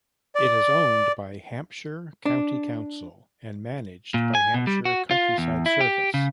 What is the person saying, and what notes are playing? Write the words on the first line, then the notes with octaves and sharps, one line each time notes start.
It is owned by Hampshire County Council and managed by Hampshire Countryside Service.
D5
D4
A#2
G#5
B2
G3
F#4
F4
E2
E4
G4
C#3